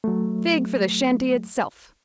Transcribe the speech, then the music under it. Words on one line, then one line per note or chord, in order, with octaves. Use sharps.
A fig for the shanty itself!
F#3 A3